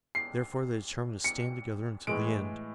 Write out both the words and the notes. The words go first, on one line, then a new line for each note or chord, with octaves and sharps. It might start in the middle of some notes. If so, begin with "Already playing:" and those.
Therefore, they determined to stand together until the end.
C7
C#7
A2 E3 G#3 D7